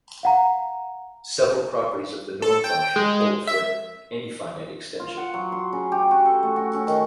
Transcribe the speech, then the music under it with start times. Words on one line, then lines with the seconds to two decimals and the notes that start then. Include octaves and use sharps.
Several properties of the norm function hold for any finite extension.
0.23 F5 F#5 A#5
2.42 A4
2.64 G5
2.96 G#3
3.47 E5
5.00 F4
5.17 F#5
5.34 F#3
5.52 C6
5.73 C#3
5.92 G4
6.11 F#4
6.25 A4
6.43 A3
6.56 F#4
6.74 C#4
6.87 D#3